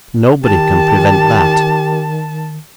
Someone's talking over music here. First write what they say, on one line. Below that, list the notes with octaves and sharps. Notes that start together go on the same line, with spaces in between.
Nobody can prevent that.'
D#3 G4 A5